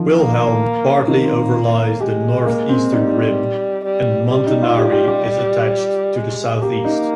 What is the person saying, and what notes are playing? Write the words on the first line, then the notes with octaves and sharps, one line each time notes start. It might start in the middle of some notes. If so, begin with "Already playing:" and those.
Wilhelm partly overlies the northeastern rim, and Montanari is attached to the southeast.
Already playing: D#3 F3
A#3
D#3 A#3
C4
G#3 G4
A#3
C4
G3 D#4
G3
G3 G4
D#4
F4
G4
G4
G4
G4
G#3
A#3 G4
D#4